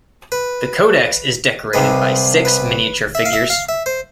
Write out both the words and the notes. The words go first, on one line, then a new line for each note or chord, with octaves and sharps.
The codex is decorated by six miniature figures.
B4
C2 C3 G#3 B4
B4
E5
F5
E5
F5
E5
C5